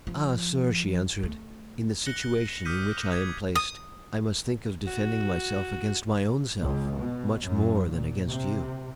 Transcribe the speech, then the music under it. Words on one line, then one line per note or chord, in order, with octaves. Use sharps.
"Ah, sir!" she answered, "in the situation in which I am placed, I must think of defending myself against my own self much more than against you."
F3
A3
F#6 A#6 C#7 F#7 G7
D6 D#6 F6 G6 B6 D#7
D#6 G#6
D#6
F#4
C#2
B2
F#2
A#2
C3